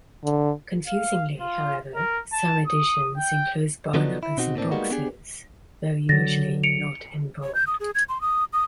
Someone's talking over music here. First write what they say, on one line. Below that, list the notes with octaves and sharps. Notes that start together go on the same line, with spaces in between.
Confusingly, however, some editions enclose bar numbers in boxes, though usually not in bold.
D3
F5
F4
A#4
A5
D#6
G5
D3 F3 F#3 B3 D4 D#4
E4
B2 C4 D#4 F#4
A2 A#3 C4 D4
G3 G#3 A#3 B3 D#4 F#4
B3 D4 G4 G#4
D3 F#3 A6 A#6
C#7 D7 F7
C#5
G6
D#6
G#4
G#6
C6
D#6
D#6